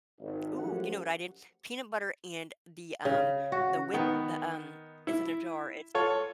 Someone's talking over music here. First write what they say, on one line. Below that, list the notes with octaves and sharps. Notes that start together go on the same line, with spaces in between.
Ooh, you know what I did? Peanut butter and the, um, the whip, the, um it's in a jar. It's
G#1
F#2 F3 A3 F#4 G4 F#5
C#3
F#4
D#3 B3
E4
F4 A4 C#5